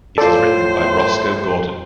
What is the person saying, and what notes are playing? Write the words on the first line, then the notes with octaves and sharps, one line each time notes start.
It is written by Rosco Gordon.
A2 F4 A4 C5 D5